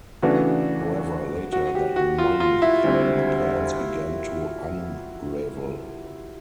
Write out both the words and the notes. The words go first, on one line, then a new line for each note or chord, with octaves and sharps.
However, later that month the plans began to unravel.
C#3 E3 A3 D4 F#4
F#4
G4
F#4
F4
F4
E4
D2 D3 G3 C4